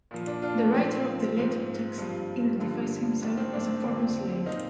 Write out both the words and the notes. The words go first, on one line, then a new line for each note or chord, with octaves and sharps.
The writer of the later text identifies himself as a former slave.
A#2 F3
D4
D4 F4
D4
A#2 F3 C4
G#2 F3
G2 F3
G2 D3 F3
G#2 D#3 D4
C4
D4
F2 D3 F3 C4
A#2 F3 C4 D#4